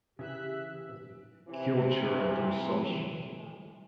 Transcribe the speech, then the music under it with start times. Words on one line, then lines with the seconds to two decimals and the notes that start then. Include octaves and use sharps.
Culture and Consumption.
0.19 C#3 E3 G4 E5 F#6 B6
1.49 C3 E3 C4